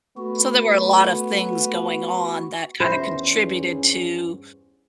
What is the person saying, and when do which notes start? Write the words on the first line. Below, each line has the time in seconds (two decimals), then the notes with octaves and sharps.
So, there were a lot of things going on that kinda contributed to
0.17 A3 B3 F#4
2.80 E2 G2 C#4 F4 C5 E5